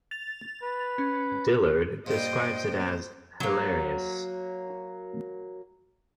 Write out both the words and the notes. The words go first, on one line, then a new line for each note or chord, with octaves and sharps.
Dillard describes it as "hilarious".
A6 F7
B4
C#4
G2 A#2 G3 C5 D#5 G5
F#3 A#3